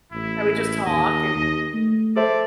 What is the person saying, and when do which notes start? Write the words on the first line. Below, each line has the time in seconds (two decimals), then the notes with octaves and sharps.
And we'd just talk and
0.12 A1 E4
0.86 D#2 D#5
1.35 D#2
1.74 A3
2.16 A4 C5 D5 E5